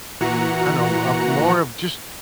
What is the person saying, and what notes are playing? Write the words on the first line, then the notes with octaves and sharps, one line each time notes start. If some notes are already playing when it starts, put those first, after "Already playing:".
I don't know uh, a more of just
A#2 E3 F#4 F#5 A#5 C#7